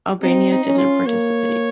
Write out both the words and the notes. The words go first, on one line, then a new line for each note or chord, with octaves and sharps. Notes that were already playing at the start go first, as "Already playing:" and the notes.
Albania didn’t participate.
C4 D#4
D#4
C#4
F4
A#3 C#5